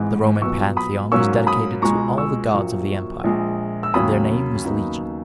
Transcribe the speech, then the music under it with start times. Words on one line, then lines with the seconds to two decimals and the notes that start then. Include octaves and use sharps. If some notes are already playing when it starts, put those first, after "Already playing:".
The Roman Pantheon was dedicated to all the gods of the Empire, and their name was legion.
Already playing: G#1 G#2 E3 G#3
0.41 B1 A#2 F#3 B3 C#6 E6
0.77 B5 D#6
1.12 G#2 F#3 A#3 C#4 C#6 E6
1.47 B5 D#6
1.82 C#2 B2 G#3 A#5 C#6
2.18 C#6 E6
2.54 A#1 A#2 F#3 A#3
3.24 A#1 A#2 G#3
3.83 E6
3.94 D#2 C#3 F#3 C#4 B5 D#6
4.65 D#2 C#3 F#3 B3 D#4